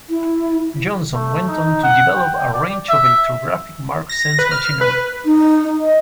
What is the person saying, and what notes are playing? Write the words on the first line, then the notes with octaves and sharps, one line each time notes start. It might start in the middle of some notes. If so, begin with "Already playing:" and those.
Johnson went on to develop a range of electrographic mark-sense machinery.
E4
A3
D#4
F#5
G5
D5
E5
A#6
B4
F6
B4
D#4
D#5